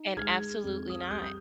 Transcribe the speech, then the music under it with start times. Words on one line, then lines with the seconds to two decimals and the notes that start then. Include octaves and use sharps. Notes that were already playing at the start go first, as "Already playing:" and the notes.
And absolutely not.
Already playing: D#4
0.17 G#3 F6 G#6
0.64 F2
0.90 D#6
1.00 F6
1.11 G3 D#6 G6